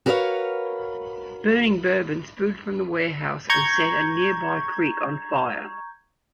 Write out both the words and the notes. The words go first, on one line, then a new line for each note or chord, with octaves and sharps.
Burning bourbon spilled from the warehouse and set a nearby creek on fire.
F#4 A#4 B4 C#5 E5 F5
A#5 C#6 G6 G#6